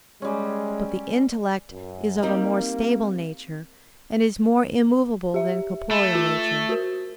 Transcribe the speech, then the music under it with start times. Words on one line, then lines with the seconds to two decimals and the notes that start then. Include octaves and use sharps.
But the intellect is of a more stable nature, and is more immovable than corporeal nature.
0.22 G3 G#3 C#4
1.71 F#2
2.22 G3 A#3 C4 D#4 A#4
5.34 G4 E5
5.91 A3 B5
6.15 F4
6.69 F#4 A#4